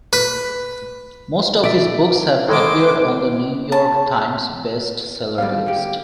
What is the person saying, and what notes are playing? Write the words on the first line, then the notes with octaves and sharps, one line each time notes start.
Most of his books have appeared on the "New York Times" Best Seller List.
B4
D5 E5
D#3 E3 G#3 A4 C5 D6
A5
G2 B2 G3 F5
D3 G4